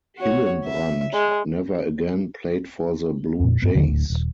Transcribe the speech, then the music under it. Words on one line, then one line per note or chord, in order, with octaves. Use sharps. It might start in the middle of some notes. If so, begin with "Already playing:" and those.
Hillenbrand never again played for the Blue Jays.
F#4 C#5
E5
G#3
F2 A#2
G2 B3
D#2 D3 F3 A#3
D1 D2
D#1